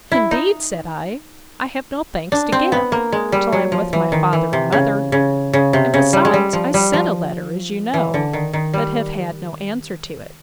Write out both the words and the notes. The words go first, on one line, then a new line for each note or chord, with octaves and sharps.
Indeed, said I, I have no thanks to give, till I am with my father and mother: and besides, I sent a letter, as you know; but have had no answer to it.
E4
D#4
D4
C4
B3
A#3
G#3
G3
F#3
F3
E3
D#3
E3
C3
C#3
C#3
C#3
C3
C#3
G3
G#3
G3
F3
G3
F3
E3
D3
D#3
D#3
G3